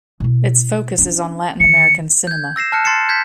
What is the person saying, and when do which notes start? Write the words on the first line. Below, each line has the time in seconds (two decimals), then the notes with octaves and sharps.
Its focus is on Latin American cinema.
0.20 B2 E4
0.98 C#4 D4
1.60 D#3 B3 C#7
2.27 G6 G#6
2.56 E6 A#6 C7 E7
2.72 A5 F6 F#6 C#7
2.84 C6 A6 C7 C#7 E7
3.09 G6 G#6 B6